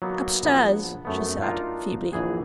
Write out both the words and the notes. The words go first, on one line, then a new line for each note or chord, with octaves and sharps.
"Up stairs," she said, feebly.
F#3 A#3 B3 D#4
A#1 B3 F#5 A5
F#2 A3 B3
D4 D#4 F4 A#4
A#1 E3 G#4 F#5